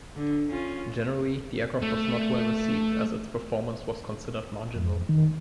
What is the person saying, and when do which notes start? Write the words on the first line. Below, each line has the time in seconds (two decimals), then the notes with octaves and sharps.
Generally, the aircraft was not well-received as its performance was considered marginal.
0.15 D3
0.49 C#4 F4
1.82 A3
4.76 F2
5.09 D#3